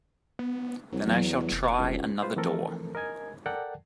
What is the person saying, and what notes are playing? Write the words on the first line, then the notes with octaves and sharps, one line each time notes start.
Then I shall try another door.
B3
C2 F#3
E2
F1
C#2
G#3 F4 B4 C5
E3 F3 A3 C4 A4 A#4
A#4 D#5 G#5 G#6
A4 A#4 D5 F#5 G5 A5